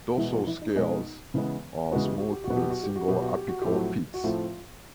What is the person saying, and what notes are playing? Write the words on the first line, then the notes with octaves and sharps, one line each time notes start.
Dorsal scales are smooth with single apical pits.
B2 E3 G#3 B3 E4
F3 F4
E3 E4
D#4
B2 G#3 B3 D#4
C#3 E3 G#3 B3
C#3 E3 G#3 B3 F#4
G4
F#4
G4
F#4
B2 F#3 B3
G4
F#4
G4
F#4
B2 F#3 B3 G4
F#4
G4
F#4
A2 F3 A3 C4 G4
F#3 F#4
F#4
A2 F3 A3 C4 F4